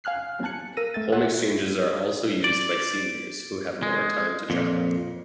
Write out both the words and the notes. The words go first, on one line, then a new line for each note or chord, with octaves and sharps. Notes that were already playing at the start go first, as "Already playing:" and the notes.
Home exchanges are also used by seniors, who have more time to travel.
F5 G#5 F6 F#6 C7
G#5 A5 F#6 C#7
A#4 F5 E6 A#6 D#7
A3 E5 G5 A6
C#5 E5 F#5 G#5 F#6
D5
G#3
F2 A#2